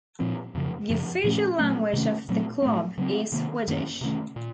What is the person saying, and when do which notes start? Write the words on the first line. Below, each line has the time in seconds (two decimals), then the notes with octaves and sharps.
The official language of the club is Swedish.
0.20 A#2 F3 C4
0.55 F2 C#3 F3
0.90 F#2 C#3 F3
1.24 A#2 F3 A3 C#4
1.59 A#2 F#3 A3 C#4
1.93 C3 D#3 A3 C#4
2.29 A#2 F#3 A3 C4
2.62 A2 A3 C4
2.98 C#3 F#3 C4
3.32 C3 D#3 A#3
3.68 F#2 D#3 A#3 C#4
4.01 C3 D#3 A3 C#4
4.36 A#2